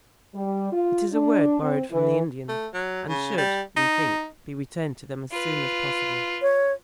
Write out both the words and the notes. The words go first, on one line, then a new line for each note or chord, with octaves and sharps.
It is a word borrowed from the Indians, and should, we think, be returned to them as soon as possible.
G3
F4
D4
C4
E3
A3
F#3
C#3
G3
D#4
F4 B4
C#5